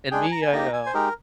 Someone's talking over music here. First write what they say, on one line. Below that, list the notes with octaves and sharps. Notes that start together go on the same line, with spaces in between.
and me, I uh,
G#3 D4 G#4 G5
G#5
A#5
G#5
A#3 D#4 G4 A#5
G#5
C5
G#3 D#4 G4 A#4